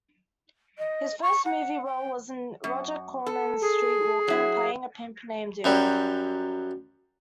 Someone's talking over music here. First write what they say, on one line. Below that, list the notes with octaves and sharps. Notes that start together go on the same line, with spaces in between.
His first movie role was in Roger Corman's "Streetwalkin"' playing a pimp named Duke.
D#5
C#6
F#5
G5
F#2
A4
G#4
F#3 E4
F#2 F#3 G3